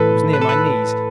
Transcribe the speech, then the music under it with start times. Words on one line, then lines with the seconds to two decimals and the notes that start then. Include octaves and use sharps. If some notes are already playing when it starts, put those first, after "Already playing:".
It was near my knees.
Already playing: A2 E3 A4 B4
0.33 B4
0.41 A4
0.49 B4